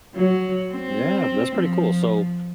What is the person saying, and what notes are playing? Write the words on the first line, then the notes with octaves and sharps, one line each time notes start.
Yeah, that's pretty cool. So
F#3
C4
F3